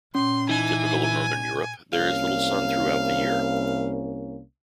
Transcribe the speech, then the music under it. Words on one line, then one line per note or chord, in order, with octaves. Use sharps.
Typical of Northern Europe, there is little sun throughout the year.
A#2 C#4 C6
E3 D#4 G#5
C2 A#3 C#4 F5